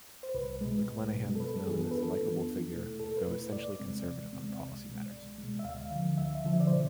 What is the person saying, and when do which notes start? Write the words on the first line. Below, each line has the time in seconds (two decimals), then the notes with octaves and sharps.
McLenaghen was known as a likeable figure, though essentially conservative on policy matters.
0.23 C5
0.34 C2 B4
0.61 B2 G#3
0.87 C2
1.14 B2 G#3
1.35 A4
1.40 F2 B4
1.54 A4
1.67 E3 B3 D4 F4 G#4
1.81 A4
1.91 F2 B4
2.02 A4
2.20 E3 B3 D4 F4
2.47 E2
2.73 B2 A3 E4
3.00 E2 A4
3.17 B4
3.27 B2 A3 E4
3.52 E2 D5
3.80 C3 G#3 C4
4.06 E2
4.33 C3 G#3 C4
4.58 C2
4.85 B2 G#3
5.11 C2
5.38 B2 G#3
5.59 E5
5.65 D2 F5
5.91 D3 F3
6.18 D2 E5
6.35 E5
6.45 D3 F3
6.53 E5
6.60 D5
6.67 C5
6.70 B2